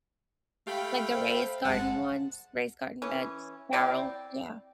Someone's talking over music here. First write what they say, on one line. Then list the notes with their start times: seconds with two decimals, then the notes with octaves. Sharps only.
Like the raised garden ones, raised garden beds, barrel? Yeah.
0.67 A3 G4 F5 G5 B5
1.13 C5
1.65 G1 G#3 F#5 A5
3.02 E3 C#4
3.73 C4 E4 D5 G5